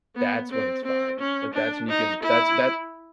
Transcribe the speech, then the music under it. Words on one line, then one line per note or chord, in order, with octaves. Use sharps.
That's when it's fine, like that's when you can that's that
B3
C4
C4
C#4
D4
D#4
E4